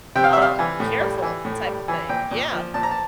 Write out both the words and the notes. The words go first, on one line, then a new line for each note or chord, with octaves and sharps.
um, careful type of thing, yeah,
C3 G5
F5
E5
G3
F5
E3
A2
G3
E3
A2
G3
E3
A#2 G5
A#2
F3
A#2 A5
A#5
A5